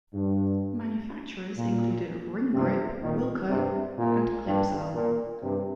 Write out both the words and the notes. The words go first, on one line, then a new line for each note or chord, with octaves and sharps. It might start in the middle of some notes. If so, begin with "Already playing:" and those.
Manufacturers included Ring Grip, Wilco and Clipsal.
G2
A#2
G2 C3
A#2 D#3
G2 C3
A#2
G2
A#2
G2 C3